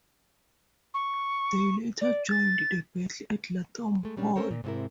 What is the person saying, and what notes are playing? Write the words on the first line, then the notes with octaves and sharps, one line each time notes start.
They later joined the battle at Lathom Hall.
C#6
D5
A6
G#3 A3
A#2 G3 C#4 D4
C4 C#4 A4 A#4 C5 C#5
A#2
G#2 C3 C4 D#4 E4 A#4